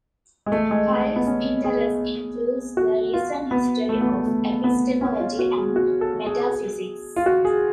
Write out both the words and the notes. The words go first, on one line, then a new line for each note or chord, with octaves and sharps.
Pyle's interest includes the recent history of epistemology and metaphysics.
G#3
A3
G#3
A3
B3
C#4
G#4
F#4
F4
B3
A3
B3
A3
A3
B3
C#4
F4
F#4
G#4
F#4
A4
G#4
F4
F#4
G#4